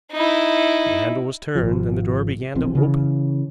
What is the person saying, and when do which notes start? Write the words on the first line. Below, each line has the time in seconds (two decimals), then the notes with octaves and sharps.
The handle was turned, and the door began to open.
0.12 D#4 E4
1.55 G#1 C#2 F3
2.55 E1 A#1 E2 C4
2.75 C#3 E3